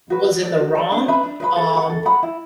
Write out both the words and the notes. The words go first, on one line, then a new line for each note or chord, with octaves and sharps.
was in the wrong, um,
F#4 B4
F#4
A4 D5
F#4
A4 D5
D4
B4 E5 B5
D4
B4 E5 B5
A4
F#5 B5
A4
F#5 B5
E4